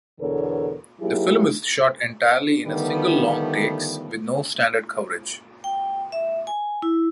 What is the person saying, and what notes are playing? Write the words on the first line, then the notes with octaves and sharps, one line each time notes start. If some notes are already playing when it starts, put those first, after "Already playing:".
This film is shot entirely in single long takes with no standard coverage.
E2 B2 D3 A4 A#4 C#5
F#3 A#3 D#4 E4 G4 G#4
D3 D#3 F3 G3 A3 B3
G5
E5
G#5
E4